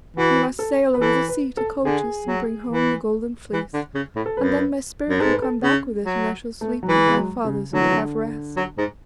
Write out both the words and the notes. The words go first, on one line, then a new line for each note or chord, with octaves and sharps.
'You must sail over the sea to Colchis, and bring home the golden fleece; and then my spirit will come back with it, and I shall sleep with my fathers and have rest.'
E3 F#4
A4
B4
E3 A4
B4
A4
D3 G#4
F#3
E3
E3
D3
C#3
A2
A4
F#2 B4
F#2
G#2 A4
B4
A4
C#3 C#4
F#3
A3
F#3
E3 G#3
G#3
F#3
C#3
D3 F#3
E3
D3
F#3
G#2